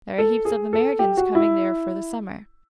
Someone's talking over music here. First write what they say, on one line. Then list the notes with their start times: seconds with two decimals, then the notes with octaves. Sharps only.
There are heaps of Americans come there for the summer.
0.18 A4
0.45 G#4
0.73 A4
0.99 G4
1.17 F#4
1.35 E4